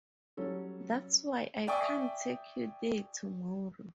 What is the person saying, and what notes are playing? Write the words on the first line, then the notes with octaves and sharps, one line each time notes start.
That's why I can't take you there tomorrow.
F#3 G3 C#4 A4
D5 E5 G5 G#5 C#6 D#6